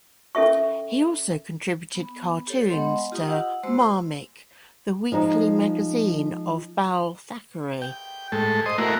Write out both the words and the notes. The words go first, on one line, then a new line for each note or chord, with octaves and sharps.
He also contributed cartoons to "Marmik", the weekly magazine of Bal Thackeray.
C#4 A4 E5 C#6
B3
G4 A4 C#5
G#3 B3 D#5 F#5 C6
F4 G4 D#5 A#5 D#6
F#5 E6
G#3 A#3 F#4 C5 C6 E6
F3 G#3 D#4
G5
A2 G#3 A4
C5 D#5
A3 A#3 E4 F#4 A#4